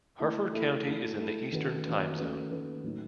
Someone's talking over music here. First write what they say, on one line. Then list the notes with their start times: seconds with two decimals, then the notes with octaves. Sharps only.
Harford County is in the Eastern Time Zone.
0.20 A3 E4 A4
0.53 A3 E4 A4
0.87 A3 E4 A4
1.19 A3 E4 A4
1.52 D#3 A3 C#4 F#4 B4
1.85 D#3 A3 C#4 F#4 B4
2.18 D#3 A3 C#4 F#4 B4
2.50 D#3 A3 C#4 F#4 B4
2.84 A2 F#3 A3 D#4